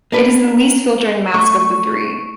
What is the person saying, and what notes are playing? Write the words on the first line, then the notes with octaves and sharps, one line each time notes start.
It is the least filtering mask of the three.
A#3 D4 B4
A3 C#6